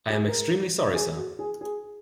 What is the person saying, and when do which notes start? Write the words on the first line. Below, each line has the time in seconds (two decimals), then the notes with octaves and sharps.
I am extremely sorry, sir.
0.10 G#4
0.27 A#4
0.94 G#4
1.16 F#4
1.39 G#4
1.61 G#4